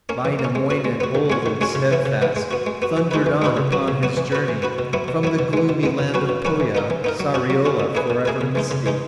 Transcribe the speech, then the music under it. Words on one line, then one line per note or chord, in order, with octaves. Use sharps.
Vainamoinen, old and steadfast, Thundered on upon his journey, From the gloomy land of Pohja, Sariola for ever misty.
A#3 C#4
E3
A#3
C#4
G#3
B3 F#4
G#3
B3 F#4
D#3
G#3 C#4 F#4 C#5
D#3
G#3 C#4 F#4 C#5
C#3
E3 B3 E4
C#3
E3 B3 E4
G#3
B3 F#4
G#3
B3 F#4
E3
G#3 D#4 F#4 B4
E3
G#3 D#4 F#4 B4
C#3
F#3 B3 F#4
C#3
F#3 B3 F#4
E3
B3 F#4 B4
E3
B3 F#4 B4
B2
F#3 B3 E4
B2
F#3 B3 E4
B2
G#3 B3
B2
G#3 B3
B2
F#3 C#4 F#4 B4
B2
F#3 C#4 F#4 B4
E3
B3 D#4 A#4
E3
B3 D#4 A#4
F#3
C#4 F#4
F#3
C#4 F#4
A#2
A#3 E4 G#4 B4
A#2
A#3 E4 G#4 B4
C#3
E3 G#3 D#4
C#3
E3 G#3 D#4